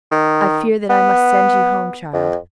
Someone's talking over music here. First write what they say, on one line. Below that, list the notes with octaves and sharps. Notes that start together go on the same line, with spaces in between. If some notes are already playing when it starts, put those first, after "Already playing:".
I fear that I must send you home, child.
D#3
B3
F2